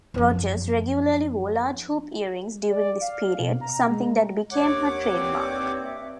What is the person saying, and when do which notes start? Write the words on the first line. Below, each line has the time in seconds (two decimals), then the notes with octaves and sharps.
Rogers regularly wore large hoop earrings during this period, something that became her trademark.
0.14 F#2 F3
2.70 D5
3.01 F5
3.39 B2
3.61 A#5
3.89 G#3
4.52 D#2 C#5 F#5 D6
5.12 G2 C4
5.84 E5